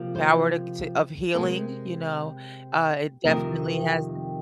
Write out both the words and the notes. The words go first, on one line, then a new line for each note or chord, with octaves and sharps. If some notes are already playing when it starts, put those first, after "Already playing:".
power to to of healing, you know? Uh, it definitely has
Already playing: C3 F3 A#3
C5
C3 G#3 C4 A#4
F2 C3 D#3 C4 A#4